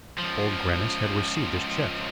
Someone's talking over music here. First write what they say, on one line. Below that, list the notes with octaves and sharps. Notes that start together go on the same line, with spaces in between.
Old Grannis had received his check.
C#2 F3